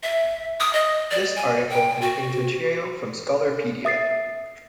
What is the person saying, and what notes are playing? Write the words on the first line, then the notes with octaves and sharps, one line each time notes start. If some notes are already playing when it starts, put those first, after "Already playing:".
This article contains material from Scholarpedia.
E5
D#6
D#5
D5
G#5
G5
F#4
E5 D#6 A6 C7